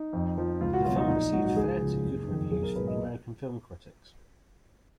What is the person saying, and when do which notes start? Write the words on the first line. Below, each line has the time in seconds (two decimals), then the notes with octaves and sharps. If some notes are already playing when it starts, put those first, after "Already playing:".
The film received fair to good reviews from American film critics.
Already playing: D#4
0.13 F2
0.38 F3
0.61 C#2 F4
0.73 F#4
0.84 B2 F#3 F4
0.97 D#4
1.09 A#1 D#4
1.32 G#2 F#3 F#4
1.45 F#4
1.56 C#2 G#4
1.80 C#3 F3
2.04 F#1
2.28 F2 D#3
2.51 B1 G#4
2.63 A#4
2.75 B2 F#3 B4
2.87 D#5